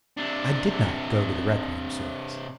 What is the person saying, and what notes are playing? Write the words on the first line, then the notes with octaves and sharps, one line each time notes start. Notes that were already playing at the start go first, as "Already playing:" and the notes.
I did not go to the requiem service.
C3 D4